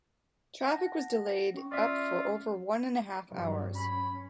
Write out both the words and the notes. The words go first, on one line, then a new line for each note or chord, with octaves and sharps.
Traffic was delayed up for over one and a half hours.
F#5 A5 A#6
C#4 C#6
F4 D5 E5
G2 F#3 G3
C#4 B5